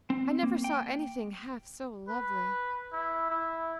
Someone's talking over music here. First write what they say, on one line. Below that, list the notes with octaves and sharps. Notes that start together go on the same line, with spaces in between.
"I never saw any thing half so lovely."
C4
A#3
G5
B4
E4
E4